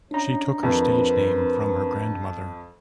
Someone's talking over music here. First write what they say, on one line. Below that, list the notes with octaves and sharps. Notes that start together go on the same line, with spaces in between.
She took her stage name from her grandmother.
C#4 D4 A#5
F2 C4 A#4 B4